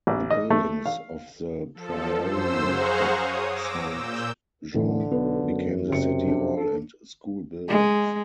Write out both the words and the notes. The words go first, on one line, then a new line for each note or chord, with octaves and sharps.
The buildings of the Priory of Saint-Jean became the City Hall and school buildings.
A1
D#5
A3
F5
F3 A4
F#2 C5 E6
G#4 C5 F5 F#5 A#5 C#6
C#5 D#6
D6 E6 A#6
A#2 E6 G6
A2 D3 E3
B1 B3
F#2
F#1 C3 C#7
D4
A4
G#3